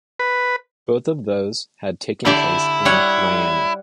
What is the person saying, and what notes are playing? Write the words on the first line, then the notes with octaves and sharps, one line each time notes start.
Both of those had taken place in Miami.
B4
D3 E4 G4 D5
G3 C#5 F#5